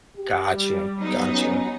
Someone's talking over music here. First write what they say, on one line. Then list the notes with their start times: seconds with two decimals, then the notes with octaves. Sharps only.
Gotcha. Gotcha.
0.17 G4
0.52 G3
0.99 F#3 B3 D#4
1.32 C#4